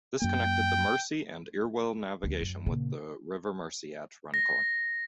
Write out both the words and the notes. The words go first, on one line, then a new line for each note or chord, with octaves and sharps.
This connected the Mersey and Irwell Navigation with the River Mersey at Runcorn.
F#2 A#3 G5
D2 D3
F#2
A#2 C#3
A#6